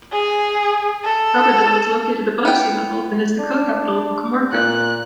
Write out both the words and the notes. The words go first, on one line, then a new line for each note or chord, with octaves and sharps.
Sabadell is located above sea level and is the co-capital of the "comarca".
G#4
A4
B3 G5
D4
A#2 F#6